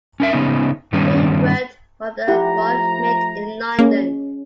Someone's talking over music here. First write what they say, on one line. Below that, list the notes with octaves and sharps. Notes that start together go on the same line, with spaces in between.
He worked for the Royal Mint in London.
C#4 A#4 E5
C#3 B3 C#4 D#4
G2 D#3 G3 B3 C#4
F3 A3 E4 G4 F#5 A#5
A#3 C#4 G#4 C#5